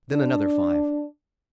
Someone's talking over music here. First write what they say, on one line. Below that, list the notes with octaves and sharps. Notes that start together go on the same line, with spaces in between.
Then another five.
D4